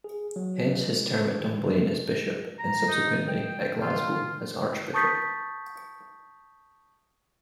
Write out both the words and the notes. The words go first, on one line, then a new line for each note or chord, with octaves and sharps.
Hence his term at Dunblane as Bishop and subsequently at Glasgow as Archbishop.
G#4
F#3
G#3
A#5
D#4
G5
F4
A5 C#6 D#6 G6 A6 B6